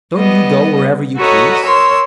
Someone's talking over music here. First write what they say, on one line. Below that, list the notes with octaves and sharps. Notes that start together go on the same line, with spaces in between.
"Don't you go wherever you please?"
G3 B3 D#5
F#4 A4 B4 C#5 D#5 A#5
A#4 C#5 C6 E6